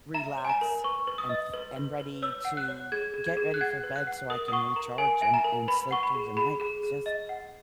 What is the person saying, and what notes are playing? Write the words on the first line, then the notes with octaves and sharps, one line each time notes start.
relax and f and ready to get ready for bed so I can recharge and and sleep through the night. I just
E5 A#5
C#5
G#5
A#5
A#4
B4 C#6
B4
D#6
D#5
B4
B4
B4
C#5 E6
F#5
F#6
C#5
G#4 G#6
G#4
G#6
G#4
F#6
F#5 G#6
B4
F#6
F#5
A#4 D#6
D#6
F#5 C#6
A#4 A#5
A#4 G#5
E5 G#5
A#5
A#4
B4 B5
F#5 C#6
B5
G#4
G#4 B5
G#4
G#4
D#5
F#5